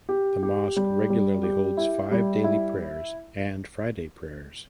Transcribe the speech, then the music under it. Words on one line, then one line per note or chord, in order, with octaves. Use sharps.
The mosque regularly holds five daily prayers and Friday prayers.
G4
G4
G3
G3
G4
E4
G3
E4